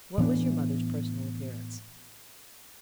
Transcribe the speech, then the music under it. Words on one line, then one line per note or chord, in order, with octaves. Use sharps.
"What was your mother's personal appearance?"
A2 E3 B3 D4